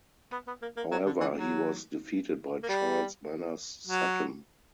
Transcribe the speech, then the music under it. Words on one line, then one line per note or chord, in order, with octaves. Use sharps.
However, he was defeated by Charles Manners-Sutton.
B3
B3
A#3
A#3
F#3
D3
E3
F#3
A#3
G3
F#3